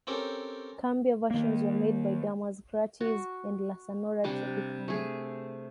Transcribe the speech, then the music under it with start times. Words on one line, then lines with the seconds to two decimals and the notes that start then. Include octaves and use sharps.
Cumbia versions were made by Damas Gratis and La Sonora Tropicana.
0.07 C4 C#4 G4 A4 A#4
1.30 D#3 A#3
3.01 F#4
4.24 C3 G3 D4
4.88 A3 G#4